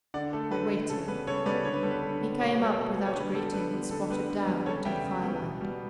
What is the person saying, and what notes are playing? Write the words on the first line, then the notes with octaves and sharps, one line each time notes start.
I waited. He came up without a greeting and squatted down into the firelight.
D3 D5 F#5
A3 A4
D3 B4
A3
C#3 A4
G3 B3 B4
C#3 A4 C#5
G3 B3 B4 D5
D3 C#5
B4
G3 B3 A4
B4
D3
G3 B3
B2 C#5
B4
G3 B3 A4 C#5
B2
G3 B3
C#5
D3 B4
G3 B3 A4
D3 B4
G3 B3
D3 A4
G3 B3 B4
D3
G3 B3
C#3 A4 C#5
G3 B3 E5 G5
C#3
G3 B3
B2
G3 B3